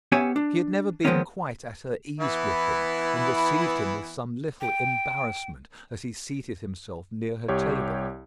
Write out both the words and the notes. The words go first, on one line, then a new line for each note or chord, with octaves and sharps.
She had never been quite at her ease with him, and received him with some little embarrassment as he seated himself near her table.
B3 C#4 G4 C#5 E5 G#5
D4
D#3 F3 G#3 A#3 B3 C#4
E3 B3 E4
G5
C2 G4 C#5